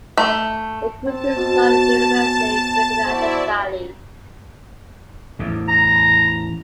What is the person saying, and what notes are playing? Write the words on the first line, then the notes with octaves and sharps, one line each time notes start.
The grouping is not universally recognized as valid.
A3
C4 A5
B2
G#5
E4 F#4 C5 D5 E5
A1 E2 A2
A#5